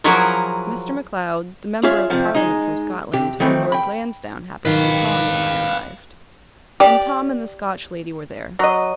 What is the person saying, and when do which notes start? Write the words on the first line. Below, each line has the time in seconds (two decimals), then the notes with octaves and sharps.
Mr. MacLeod, the member of Parliament from Scotland, and Lord Lansdowne happened to be calling when I arrived, and Tom and the Scotch lady were there.
0.04 F3 F#3 E4 F#4 G#4 A#4
1.83 F4 G#4 C#5 E5 F5
2.10 F2 C3 F3
2.35 G#3 D#4
3.13 C3 G4
3.40 D#3 E3 A3 C4
3.72 G5 B5
4.65 B1 G#2 D#3 B4 F5
6.80 G4 D5
8.59 F#3 D#5